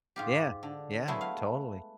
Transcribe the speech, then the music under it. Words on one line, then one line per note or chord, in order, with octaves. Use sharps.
Yeah, yeah, totally.
G#2 F4 G4
D3
F#3 G#3 A3 B3 E4
F5